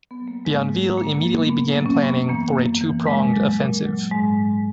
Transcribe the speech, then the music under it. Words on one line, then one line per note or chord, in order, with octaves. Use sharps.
Bienville immediately began planning for a two-pronged offensive.
B3
F#3
A#3
G#2 G#3
F#3
A#2 A#3
A#3
F#3
B3
A#2 B3
A#3
F#3
C#4
F#2 B3
E3 A#3
F#2
E3
A#2 G#3
F#3
A#2
F#3
G#2 G#3
F#3